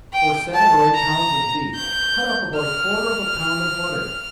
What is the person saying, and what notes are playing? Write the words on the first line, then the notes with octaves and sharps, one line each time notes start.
For seven or eight pounds of beef, cut up about a quarter of a pound of butter.
G5
A5
A#5
G6
F6